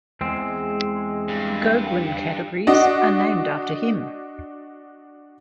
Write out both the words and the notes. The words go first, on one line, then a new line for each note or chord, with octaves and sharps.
"Goguen categories" are named after him.
E2 G#3 C4
G2
D4 F#4 D#5